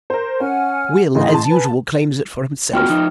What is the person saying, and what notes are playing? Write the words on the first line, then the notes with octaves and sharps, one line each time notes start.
Will, as usual, claims it for himself.
A#4 C5
C#4 F#5 G#5 F6
A2 C#3 E3 D#5 C6
A5
B4 G#5
B3 F4 F#4 G5 F6
F3 D#4